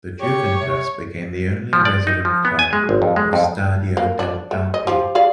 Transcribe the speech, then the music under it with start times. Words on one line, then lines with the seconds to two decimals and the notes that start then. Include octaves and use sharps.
The Juventus became the only resident club of Stadio delle Alpi.
0.21 G4 C#5
0.60 C3
1.73 F3
1.85 D5
2.07 D#4
2.25 F3
2.45 B3
2.59 G#5
2.73 G#3
2.89 G#1
3.02 F2
3.16 G#3
3.33 F2
3.97 A#3
4.19 D4
4.51 A3
4.74 D#5
4.87 F3 G4
5.15 G#4 D5 F5